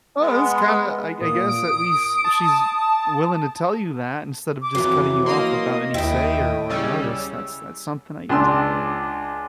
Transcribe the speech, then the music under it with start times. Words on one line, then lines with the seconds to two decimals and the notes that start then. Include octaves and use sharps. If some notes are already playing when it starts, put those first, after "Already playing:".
Well, it is kinda I I guess, at least, she's willing to tell you that, instead of just cutting you off without any say or or notice. That's that's something, I guess?
0.20 G#3 B3
1.21 A#2 D#6
1.49 D7
2.25 A5
4.62 D6
4.75 F2 E3 F#3
5.26 A#3 D#5 C6 D#6
5.94 D#2 E4 D#5 G5
6.70 C#3 G3 C#4 E6
8.29 C#2 D4 C6 E6